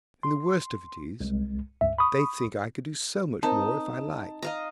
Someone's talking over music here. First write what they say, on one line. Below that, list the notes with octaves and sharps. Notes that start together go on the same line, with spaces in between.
And the worst of it is, they think I could do so much more if I liked.
C6
C2 G#3
C#2 G2 E5
B5 C#6 D#6
C4 D#4 A#4 C5 A5
D#5 F5 A#5